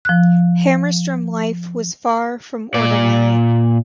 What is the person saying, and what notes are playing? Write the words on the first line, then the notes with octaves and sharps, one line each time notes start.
Hamerstrom life was far from ordinary.
F3 F#6
A#2 D5